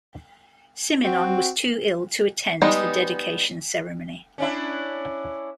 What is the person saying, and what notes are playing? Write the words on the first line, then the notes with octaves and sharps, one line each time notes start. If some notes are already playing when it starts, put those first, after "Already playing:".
Simenon was too ill to attend the dedication ceremony.
C4 F#4
G3 G#3 B3 D#4
C#4 D4 E4